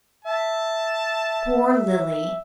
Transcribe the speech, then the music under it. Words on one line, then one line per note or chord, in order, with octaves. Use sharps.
Poor Lily!
E5 A5